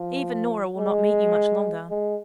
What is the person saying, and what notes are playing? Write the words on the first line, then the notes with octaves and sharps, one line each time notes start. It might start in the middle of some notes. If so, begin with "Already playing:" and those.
Even Nora will not meet you much longer.
Already playing: F3
G#3
G#3